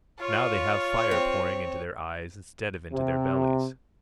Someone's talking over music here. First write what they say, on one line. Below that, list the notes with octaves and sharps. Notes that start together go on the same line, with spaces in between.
Now they have fire pouring into their eyes instead of into their bellies.
F4 C#5
C4
C3